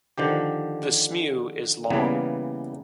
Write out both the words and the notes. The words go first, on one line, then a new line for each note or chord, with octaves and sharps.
The smew is long.
D3 D#3 F3 G4
C#3 E3 G3 A#3 B3